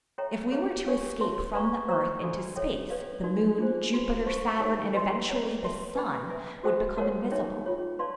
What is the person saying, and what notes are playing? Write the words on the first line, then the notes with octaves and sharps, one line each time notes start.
If we were to escape from the earth into space, the moon, Jupiter, Saturn, and eventually the sun would become invisible.
A4 C#5 E5 G5 A#5
G#4 C#5 F5
D4 G4 A#4 C#5 F5
B4 E5 A5 C6
B4 D5 F5 A#5 C#6
C5 F5 A#5 C#6
D4 F#4 A4 D5
A4 C#5 E5 G5
B4 D5 F5
D#4 F#4 A#4 D5
D4 F4 G#4 C5
D4 F#4 B4
C5 F5 A5 C#6
D#4 G4 A#4 C#5 F#5
B4 D#5 G#5 C6
G#4 C#5 F#5 A5
B4 E5 A5 C6
B4 D5 G5 B5
B4 E5 G#5
F#4 A4 C5 E5 G5
F#4 A#4 C#5 F#5
D#4 G#4 C#5 E5 G5
F4 G#4 C#5
B4 D5 F5 A5 C6